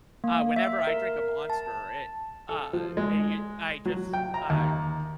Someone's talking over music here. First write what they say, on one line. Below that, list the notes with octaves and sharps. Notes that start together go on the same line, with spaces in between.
Uh, whenever I drink a Monster it, uh, it, you I just, uh,
A#3
E5
A#4
A5
A4
F3
G#3
F#3
G5
A#5
D#2